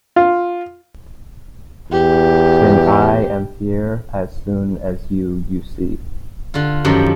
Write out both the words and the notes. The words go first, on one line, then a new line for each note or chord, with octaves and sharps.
Then I am here as soon as you, you see.
F4
E2 G4
D3 F4
F#2 D#3 F3 G4 A4